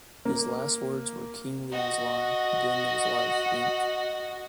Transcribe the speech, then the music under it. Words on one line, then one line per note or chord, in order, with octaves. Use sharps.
His last words were King Lear's line: Then there's life in't.
A#3
F#4 D#5